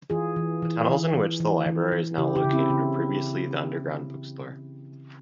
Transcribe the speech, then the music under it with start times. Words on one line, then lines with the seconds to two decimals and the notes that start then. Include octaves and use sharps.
The tunnels in which the library is now located were previously the Underground Bookstore.
0.10 E3 F4 G#4
0.36 E3
0.62 E3
0.88 E3
1.14 E3
1.40 E3
1.66 E3
1.92 E3
2.18 C#3 E4 G4
2.36 E4 G4
2.44 C#3
2.53 C4 E4
2.70 C#3